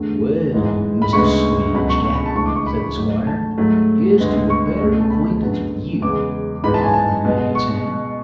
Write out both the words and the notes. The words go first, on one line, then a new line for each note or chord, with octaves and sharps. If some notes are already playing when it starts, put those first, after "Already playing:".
"Well, Mr. Swinge-cat," said the 'squire, "here's to a better acquaintance with you," offering me his hand.
Already playing: E2 D3 A3
G#2 E3 G#3 B3
B5
D2 C#3 G#3 B3 C#6
C#2 B2 F#3 B5
C#6
C#6
B5
A5
D2 C#3 E3 G#3 C#6
D6
C#6
B5
G#2 F#3 A3
A5
G#2 F#3 A3
D2 D3 G#3 B3
C#6
C#2 B2 A3
A5
B5
F#2 D3 F#3 B3
E2 C#3 G#3 B3 D6
G#2 E3 G#3 B3 B5
A5
G#5
A5
B2 G#3 B3
C#6